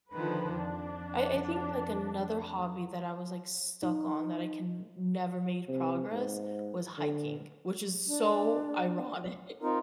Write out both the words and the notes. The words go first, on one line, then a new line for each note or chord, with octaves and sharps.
I I think like another hobby that I was like stuck on that I can n never made progress was hiking, which is so ironic.
D3 D#3 F3 B4
F2 D4
D#4
C3
G#2
D3
D4
C4 D#4 F4 A#4